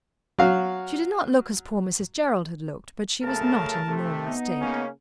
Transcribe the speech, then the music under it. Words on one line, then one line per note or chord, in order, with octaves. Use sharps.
She did not look as poor Mrs. Jerrold had looked, but she was not in a normal state.
F#3 F#4 F5
F#2 C#3 A3 A#4 A5
C3 A3
B3 D#4
C#3 A#3 C#4